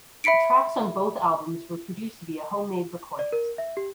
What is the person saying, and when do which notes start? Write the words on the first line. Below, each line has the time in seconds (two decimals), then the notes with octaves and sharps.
The tracks on both albums were produced via homemade recordings.
0.24 E5 B5 B6 C#7 D7
3.19 D5
3.32 A#4
3.58 E5
3.77 G4